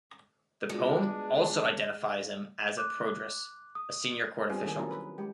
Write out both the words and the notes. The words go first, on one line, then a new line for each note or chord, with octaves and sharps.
The poem also identifies him as a proedrus, a senior court official.
G#3 B3 D4 F4 F#4 G#4
D6 F#6
D#6
G3 B3 C4 D4 F4 G#4
D#3 A#3 D4 G#4
F#3 C#4 E4 F4 A4 A#4
B4
G#3 G4